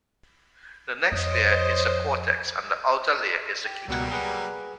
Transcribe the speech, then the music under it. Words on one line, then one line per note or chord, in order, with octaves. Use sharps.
The next layer is the cortex and the outer layer is the cuticle.
F2 C5 C#5 D#5
G4
C#2 B2 F#3 G3 A#3 F#5
G#4 B4 F#5